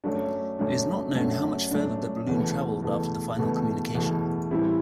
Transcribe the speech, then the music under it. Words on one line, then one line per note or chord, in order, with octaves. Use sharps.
It is not known how much further the balloon traveled after the final communication.
F#2 F#3 A3 D4
F#2 F#3 A3 D4
F#2 F#3 A3 D4
F#2 F#3 A3 D4
E2 B2 A3
E2 B2 A3
E2 B2 A3
E2 B2 A3
A2 E3 G3 C4 E4